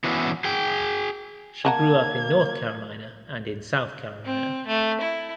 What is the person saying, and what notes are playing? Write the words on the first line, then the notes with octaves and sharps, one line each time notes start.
She grew up in North Carolina and in South Carolina.
E3 B3 C#4 D4 E4 F#4
G#4 G5
A#3 D#5 F#5 A5 A#5 G#6
C4
A3
E4